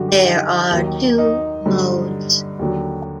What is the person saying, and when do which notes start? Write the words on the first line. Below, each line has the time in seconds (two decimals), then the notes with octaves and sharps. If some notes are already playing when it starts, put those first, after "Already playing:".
There are two modes.
Already playing: F#2 D3 G3 F#4
0.09 G4
0.24 D#4
0.71 D#2 D#3 F#3
1.18 D#4
1.66 G2 D3 F#3
2.59 D#2 D3 F#3